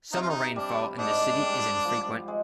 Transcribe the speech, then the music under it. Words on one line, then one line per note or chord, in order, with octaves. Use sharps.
Summer rainfall in the city is infrequent.
C3 D#4
F4
D#4
G3 D4
G#2 D4
G3
F3
G#3